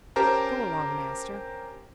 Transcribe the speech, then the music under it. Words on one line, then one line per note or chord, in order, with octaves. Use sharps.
'Go along, master!
C#4 G4 A#4 C5 A5 A#5